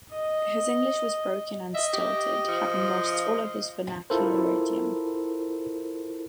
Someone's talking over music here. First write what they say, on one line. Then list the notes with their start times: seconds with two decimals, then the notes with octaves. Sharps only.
His English was broken and stilted, having lost all his vernacular idiom.
0.12 D#5
1.74 D#5 E5
1.93 G4
2.48 F3
4.10 E4 F4 A4 A#4 C5